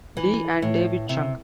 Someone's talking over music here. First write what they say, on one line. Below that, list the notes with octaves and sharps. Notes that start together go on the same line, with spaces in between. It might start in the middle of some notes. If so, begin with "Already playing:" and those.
Li and David Chung.
E3
A2
C3